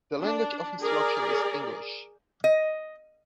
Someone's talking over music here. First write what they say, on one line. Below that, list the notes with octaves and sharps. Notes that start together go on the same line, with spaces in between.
The language of instruction is English.
D4
G#4 A#4 D5
D#5